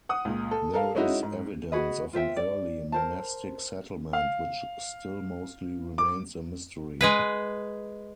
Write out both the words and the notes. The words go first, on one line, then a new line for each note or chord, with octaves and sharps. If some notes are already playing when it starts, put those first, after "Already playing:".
There is evidence of an early monastic settlement which still mostly remains a mystery.
F#5 D#6
C#2 A#2
A4
A4 A#4 F5
G#3 C#4 D#4 E4 F#4
G#2
F#4 G#4 B4 D#5
F4 C5 E5 G5
D5
A#4 C5 A5
F5
D6
G#3 G#4 B4